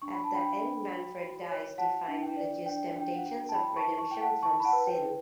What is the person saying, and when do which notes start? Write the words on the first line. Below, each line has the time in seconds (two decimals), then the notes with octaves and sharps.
At the end, Manfred dies, defying religious temptations of redemption from sin.
0.02 D4 C#6
0.14 B5
0.24 A5
0.31 D4 G5 B5
0.61 D4
0.91 F#4
1.19 F#4
1.49 C#5
1.78 F#4 F#5 A5
2.08 D4
2.23 G5
2.37 D5
2.66 D4 G5
2.96 D4 G5
3.15 F#5
3.25 F#4 G5
3.49 A5
3.54 E4 G5 B5
3.77 A5 C#6
3.85 E4
3.98 A5 C#6
4.11 E4 G5
4.21 F#5 A5
4.43 E4 A5 C#6
4.60 B5
4.65 F#5 A5
4.73 B4
4.87 G5
5.02 E4